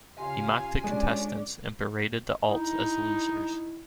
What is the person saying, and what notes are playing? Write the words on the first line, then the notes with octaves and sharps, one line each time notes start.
He mocked the contestants and berated the alts as "losers".
C#3 F4 G4 F5 G#5 C6
G#3 C#4 D4 D5
D#4 E4